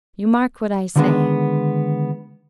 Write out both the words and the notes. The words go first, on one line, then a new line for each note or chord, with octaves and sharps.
You mark what I say.
D3 D#3 G3 G#3 B3 D4